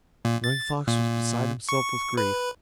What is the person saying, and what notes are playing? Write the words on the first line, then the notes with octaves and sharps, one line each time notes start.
Running Fox was beside himself with grief.
A#2
A6
A#2
C#6
B4